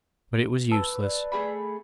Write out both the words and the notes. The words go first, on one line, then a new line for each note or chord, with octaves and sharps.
But it was useless.
B4 A5 E6
D5
A3 G#4 B5